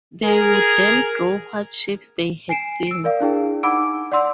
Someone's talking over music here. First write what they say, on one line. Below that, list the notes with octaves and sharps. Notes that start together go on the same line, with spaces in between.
They would then draw what shapes they had seen.
G#4 A#4
G#5 C7 D7 E7
E6 D7
A#4 D5 F5
D4 E4 G#4 G5
D#4 F#5 B5 D6 E6 D7
D5 F#5 C6 E6